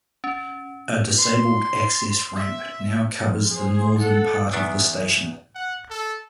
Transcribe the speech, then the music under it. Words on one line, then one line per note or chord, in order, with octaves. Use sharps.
A disabled access ramp now covers the northern part of the station.
C#4
C6
E5
F2
G#4 C5
A4 F#5
E2 D#3 B3 D4
F#5
A4